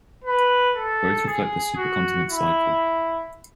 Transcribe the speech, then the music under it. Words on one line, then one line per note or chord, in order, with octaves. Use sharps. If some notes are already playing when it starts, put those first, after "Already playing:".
Both reflect the supercontinent cycle.
B4
A4
G#4
F#4
E4